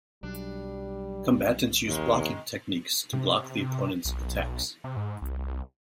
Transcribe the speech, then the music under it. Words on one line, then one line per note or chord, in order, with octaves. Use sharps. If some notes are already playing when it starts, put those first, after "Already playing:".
Combattants use blocking techniques to block the opponent's attacks.
B1 F#3 G3 D4
D#2 D#3 G#3
C3
B1
C3
G#2
C2